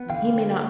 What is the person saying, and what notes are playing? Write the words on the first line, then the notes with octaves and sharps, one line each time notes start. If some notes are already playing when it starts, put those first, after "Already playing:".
he may not
Already playing: B3
D3 F5 G5